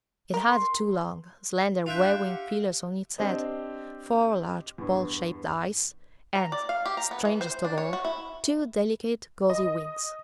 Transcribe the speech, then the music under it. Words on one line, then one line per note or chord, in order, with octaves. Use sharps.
It had two long, slender, waving feelers on its head, four large ball-shaped eyes, and, strangest of all, two delicate gauzy wings.
A#4
C6
D4 F4 E5 G5 F#6
G4 F#5
C4 D4 G4 C5 D#5
E2 G2
A#5
D5
F5
G4
A#5
B3
E3
C5
D4
C#5
F#4
E4
D#5